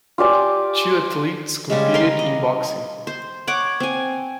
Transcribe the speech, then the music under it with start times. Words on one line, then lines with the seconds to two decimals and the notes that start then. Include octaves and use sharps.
Two athletes competed in boxing.
0.18 F4 G4 D5 G#5
1.70 C#3 G3 G#3
1.94 A#4 F5 C6
2.19 D#5
3.07 C5
3.47 C#5 F#5 D6
3.80 C4 G#5